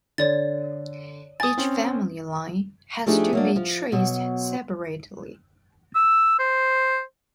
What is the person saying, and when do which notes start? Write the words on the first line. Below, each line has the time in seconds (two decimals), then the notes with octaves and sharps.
Each family line has to be traced separately.
0.18 D3 C#5 D5 A6
1.40 G#5 D#6 A6
1.58 C4 C#4
3.06 F3 A3 D4 D#4 G4 G#4
3.33 F#3 A#3 D4
3.56 F3
3.92 B2 F#3
5.95 E6
6.39 C5